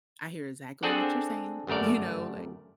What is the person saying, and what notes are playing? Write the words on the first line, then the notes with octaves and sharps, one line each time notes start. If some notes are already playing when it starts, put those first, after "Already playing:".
I hear exactly what you're saying," you know, like,
C4 D4 G#4 A4 D5 F#5
G1 F#2 A3 A#4 D5